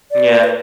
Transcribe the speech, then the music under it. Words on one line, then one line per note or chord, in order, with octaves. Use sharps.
Mm yeah.
D5
B4